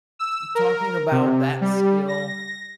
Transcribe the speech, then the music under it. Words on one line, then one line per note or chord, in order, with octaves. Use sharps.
t talking about that skill,
E6
A#4
C3
G3
A#6